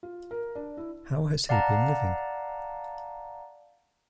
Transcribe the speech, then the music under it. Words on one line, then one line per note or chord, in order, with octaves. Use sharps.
How has he been living?
F4
A#4
D4
E4
D5 F5 F#5 A5 A#5